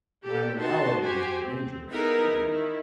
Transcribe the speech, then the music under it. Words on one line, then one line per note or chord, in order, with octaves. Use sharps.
My morality was in danger of skidding.
G4 A4
D#4 F#4 A5 C6
F#4 G4 C5 G#5
C4
B3 D#4 E4 G#4 A#4
D#3 E4